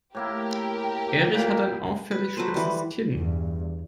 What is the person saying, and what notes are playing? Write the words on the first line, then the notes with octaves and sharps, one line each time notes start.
Erich hat ein auffällig spitzes Kinn.
A2 A#3 E4 G4 A#4
A#2 A#3 G5 B5
B4
F#3 A4 B4 C5
E3 G3
E2 G2